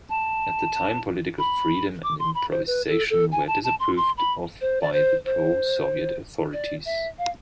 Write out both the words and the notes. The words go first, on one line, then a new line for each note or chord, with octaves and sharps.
At the time, political freedom and improvisation were disapproved of by the pro-Soviet authorities.
A5
B5
D6
C6
B5
C5
B4
A4
A4
G#5
A5
A5
C6
C6
B5
C5
D5
C5
C5
D5
E5
F5